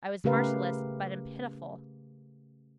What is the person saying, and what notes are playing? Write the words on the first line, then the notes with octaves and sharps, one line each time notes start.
I was merciless, but am pitiful.
C#3 A3 G4 A#4 B4 F5